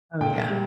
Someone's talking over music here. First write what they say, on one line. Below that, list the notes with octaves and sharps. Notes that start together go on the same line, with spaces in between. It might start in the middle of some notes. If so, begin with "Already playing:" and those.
Oh, yeah.
A#2 G5
G3